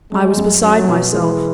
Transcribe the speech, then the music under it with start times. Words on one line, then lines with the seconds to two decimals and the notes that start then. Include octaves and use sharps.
I was beside myself.
0.11 F#3 G#3
0.37 F#2
0.62 F#3 C#4
0.88 B2
1.13 E3 G#3